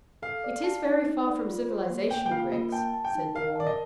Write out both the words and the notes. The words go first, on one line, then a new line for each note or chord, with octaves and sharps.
"It is very far from civilisation, Griggs," said Bourne.
A4 F5
D5
A5
D#4
D#4
D5
F4
C5
A#3
A#3 G5
G5
F4 F5
A#3 D#5
G5 A5
A5
G5
D#4
A#4 F5
D5 A5
D#5